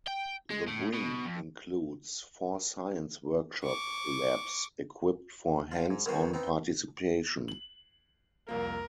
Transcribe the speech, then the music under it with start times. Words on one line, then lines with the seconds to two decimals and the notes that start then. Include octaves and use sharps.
The wing includes four science-workshop labs equipped for "hands-on participation".
0.07 G5
0.50 G#3
0.68 A2
0.94 B2
1.26 F2
3.64 C#6 D6
5.71 F3 F4
5.90 G#2
6.06 C2 D#3 B3 F#4 C5 D#6
6.33 B3 C4 D#4
7.48 F#7
8.49 C2 F2 A#3 A#4